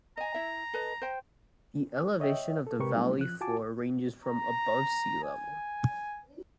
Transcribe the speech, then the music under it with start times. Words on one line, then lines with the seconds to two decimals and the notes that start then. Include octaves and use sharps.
The elevation of the valley floor ranges from above sea level.
0.17 D#5 G#5 A#5
0.34 E4 E5
0.73 A4 B4 D#5
1.02 C5 G5
2.20 C#5 D#5 E5 G5
2.67 A4
2.80 C3 G#3 G4 A#4 B4 C#6
2.95 F#3 G3 A3 B3 D4 E4
3.18 F3 F#6
3.41 F4 F#4 G#5 A5 D6
4.25 A#5
5.23 G#5